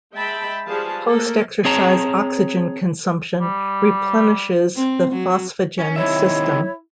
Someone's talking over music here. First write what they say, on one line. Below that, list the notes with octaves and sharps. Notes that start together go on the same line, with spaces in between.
Post-exercise oxygen consumption replenishes the phosphagen system.
G#3 E5 G5 A5 B5
F3 G3 G#4 B4 F5 A5
A3 A#3 A4 A#4
C4 G#4 C#5 A5 A#5
G3
C4
F#3
C#4
C3 D#3 E4 C#5 E5